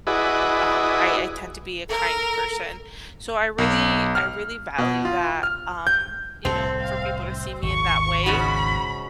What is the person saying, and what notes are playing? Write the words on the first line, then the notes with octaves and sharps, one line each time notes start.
um, I I tend to be a kind person. So I really I really value that, um, you know, for people to see me in that way.
E4 F#4 G#4 B4 D5 D#5
A4 A#4
B1
F6
B2
F4
F6
G6
C2 A2 C4 A4
F5
C5
G#1 D#2 C#6
G#2 C#3 F#4 B5